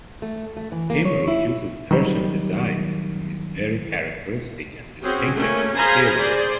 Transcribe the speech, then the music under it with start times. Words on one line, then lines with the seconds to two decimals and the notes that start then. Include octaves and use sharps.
Himroo uses Persian designs, and is very characteristic and distinctive in appearance.
0.22 A3
0.57 A3
0.72 E3
0.90 A#3
1.05 C#5
1.28 E4
1.91 D#3 F#3 G3
5.02 C4 C#4 F#4 G#4
5.36 A3 A#3 C#4
5.76 G#4 C5 F5 G#5 A#5 B5
6.18 G#4 C5 D5